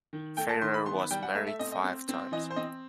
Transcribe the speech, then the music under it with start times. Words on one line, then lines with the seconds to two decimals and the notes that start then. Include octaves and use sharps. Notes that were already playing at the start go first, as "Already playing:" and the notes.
Ferrer was married five times.
0.13 D#3
0.37 A3 G5
0.49 A5
0.62 D#3 C6
0.74 B5
0.86 B3 C6
0.98 B5
1.11 G3 G5
1.23 F#5
1.35 A3 E5
1.47 E5
1.59 C4 D#5
1.72 D#5
1.84 C4
2.09 C4
2.32 E3 D#5
2.50 C5
2.56 C4 D#5